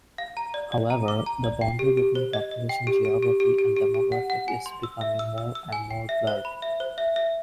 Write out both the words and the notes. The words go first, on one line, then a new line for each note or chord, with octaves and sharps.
However, the boundary between population geography and demographic is becoming more and more blurred.
F5
A#5
D5
D5
A#5
D6
A#5
D5
G5
G4
G4
C5
D#5
D#5
G5
G4
G4
G4
G4
G4
G4
G4
F#5
F#5
G#5
C6
E6
E5
E6
E6
E6
G#5
G5
E5
C5
B5
E5
C5
E5
E5